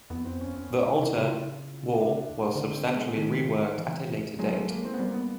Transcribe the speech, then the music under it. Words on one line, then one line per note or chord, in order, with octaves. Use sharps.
The altar wall was substantially reworked at a later date.
F2 B3
C4
C#4
C#4
D4
C3 D#4
C3 E4
C#3 E4
F4
E4
D4
D3 D4
C4
B3
G#3
A3
D#3 G#3
E3
F#3 G#3
A3
A#3
C4
B3
G3 A#3
B3